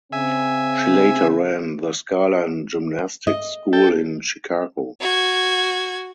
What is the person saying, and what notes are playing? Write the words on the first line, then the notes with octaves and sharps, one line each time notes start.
She later ran the Skyline Gymnastics school in Chicago.
C#3 C4 E5 G#5
D#5
A4 G5
F#4 G#6